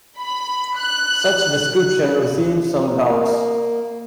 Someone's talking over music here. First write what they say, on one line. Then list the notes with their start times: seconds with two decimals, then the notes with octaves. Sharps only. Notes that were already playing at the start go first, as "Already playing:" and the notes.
Such description received some doubts.
0.18 B5
0.77 F#6
3.01 A#3